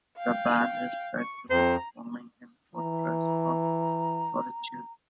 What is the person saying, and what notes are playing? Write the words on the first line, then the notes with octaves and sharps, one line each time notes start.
The band is said to be performing in a Fortress of Solitude.
F5 G5
C#6
F2 C5 A#5
E3 A#5